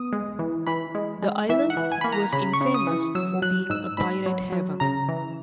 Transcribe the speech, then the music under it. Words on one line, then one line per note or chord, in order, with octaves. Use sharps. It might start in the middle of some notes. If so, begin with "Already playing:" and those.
The island was infamous for being a pirate haven.
Already playing: B3 D#6
G#3
E3
E3 B5
G#3
G#3
E3 E5
F#5
E3
G#5
A#3 B5
A#5
C#3 B5
C#6
C#3
D#6
E3
F#3 E6
F#3 F#6
G#2 E6
G#2 B5
F#3
F#3
C#3 A#5
E3